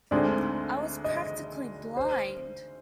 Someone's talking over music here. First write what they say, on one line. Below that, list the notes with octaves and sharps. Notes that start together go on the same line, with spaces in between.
I was practically blind.
D2 D3 G#3 C4 D#4 D5
D#5
C5